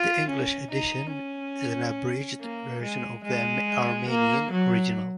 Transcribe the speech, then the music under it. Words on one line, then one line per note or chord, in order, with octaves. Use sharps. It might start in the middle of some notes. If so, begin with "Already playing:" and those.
The English edition is an abridged version of the Armenian original.
Already playing: F4
C#4
D#4
C#4
A#3
G#3
G#3
A#3
F#3